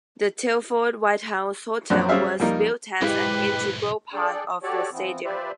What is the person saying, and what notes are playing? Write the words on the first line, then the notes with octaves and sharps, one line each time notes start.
The Telford Whitehouse Hotel was built as an integral part of the stadium.
A#1 F#2 C4 D4 C5 F#6
G3 C#4 G#4 C5 E5 F5
F2 G3 A#3 D#4 A#4
B1 G#2 G#3 E4 G4 B4 F5
D4 G#4 A4 D5 G5
F#4 G4 A4 C#5 D5
E3 F3 B3 C4
F3 G4 B4 C5 D5 E5